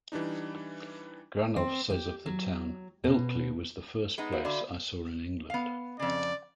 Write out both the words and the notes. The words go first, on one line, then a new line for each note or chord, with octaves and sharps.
Granov says of the town, Ilkley was the first place I saw in England.
E3 G3 D4 D#4
C4
G4
F#3
B2
G#3 B3 D#4
F#4 E5 F5
D3 D5 B5
B3 F5
F2 C#3 D5